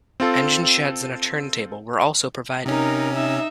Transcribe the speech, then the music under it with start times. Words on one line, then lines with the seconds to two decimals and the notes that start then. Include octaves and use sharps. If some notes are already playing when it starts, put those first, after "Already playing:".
Engine sheds and a turntable were also provided.
0.20 C4 F4 A4
2.66 C3 C#4 D#4 A#4
3.15 D#4 E5